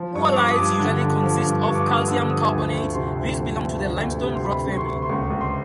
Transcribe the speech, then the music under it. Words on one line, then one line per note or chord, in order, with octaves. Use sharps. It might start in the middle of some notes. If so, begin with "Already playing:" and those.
Oolites usually consist of calcium carbonate; these belong to the limestone rock family.
Already playing: F3
G2 C#6
F3 D6
D#6
G2 D6
D3
D3
F3
G2
G2 C#6
D6
D3 D#6
D3 E6
F3 D#6
D2
D2 C#6
C3 C6
D2
F3
D2
D2
D2
C3
C6
D2 B5
C3
C#6
C6
D2
C6
C#2 C#6
C#2
C6